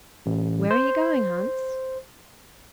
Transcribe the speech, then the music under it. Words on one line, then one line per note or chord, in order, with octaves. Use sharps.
'Where are you going, Hans?'
A1
C5